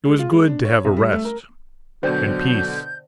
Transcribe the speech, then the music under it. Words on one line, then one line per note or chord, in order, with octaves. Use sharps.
It was good to have a rest--and peace.
G#3
F4
G#3
D4
C#5
C2
G3
A3
A#4
B2 D3 F#3 C5 D5 G5 G6